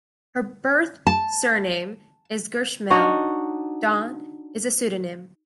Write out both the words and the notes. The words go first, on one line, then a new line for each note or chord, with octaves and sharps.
Her birth surname is Gersmehl; Dawn is a pseudonym.
A5
D4 D#4 F#4 C#5